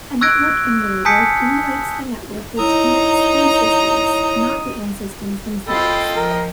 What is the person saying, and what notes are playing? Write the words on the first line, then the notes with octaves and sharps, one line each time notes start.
A network emulator emulates the network which connects end-systems, not the end-systems themselves.
C#6 E6 F#6 G#6 A#6 D7
G#5 A5 D#6 G6 B6 C#7
D#4 E4 C#5 A#5 D#6
C4 F4 A4 D#5 G5 B5
F3 A#4